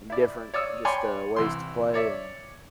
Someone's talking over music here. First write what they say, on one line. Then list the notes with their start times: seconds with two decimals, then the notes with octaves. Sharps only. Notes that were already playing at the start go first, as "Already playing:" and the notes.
in different just, uh, ways to play and
0.10 E4 D5
0.54 C#5 D5 D#6 E6
0.85 C#5 D5 G5 G#5 B5 C6
1.36 C2 E3 C6
1.94 C#5 D5 E5